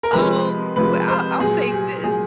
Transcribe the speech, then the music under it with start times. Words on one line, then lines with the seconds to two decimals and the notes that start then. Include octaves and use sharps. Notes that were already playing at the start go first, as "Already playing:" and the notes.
Um, well, I I'll say this
0.03 A#4
0.13 C3 F3 G#3 B4
0.76 C3 F3 G#3 B4
1.08 C5
1.40 A#2 F#3 G#4
1.71 G4
2.04 A#2 F#3 G#4